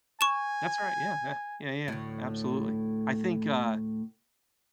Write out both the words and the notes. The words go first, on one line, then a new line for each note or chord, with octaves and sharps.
That's right, yeah, yeah, yeah, yeah, absolutely. I think, uh,
G#5 C#6 E7
D2 A2